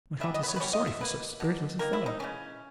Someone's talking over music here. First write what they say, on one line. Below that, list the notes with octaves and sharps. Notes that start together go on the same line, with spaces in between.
But my heart is sorry for so spiritless a fellow!
E3 G3 B3 E5
D#5
B4
C#5
B4
E3 G3 B3 C#5
D#5
E5
B2 A#3 B4
B2 A#3
D#3 A#3 A#4
E4
D#4
C#3 E3 G#3 C#4